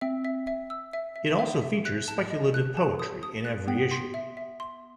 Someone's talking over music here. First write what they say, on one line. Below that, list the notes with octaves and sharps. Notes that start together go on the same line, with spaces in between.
It also features speculative poetry in every issue.
C4 E5
E5
E5
E6
E5
E5
E5
E5
F#6
A5
D#5
F#6
A5
D#6
D#6
F#6
B3 G5
C6
E5
E5
C6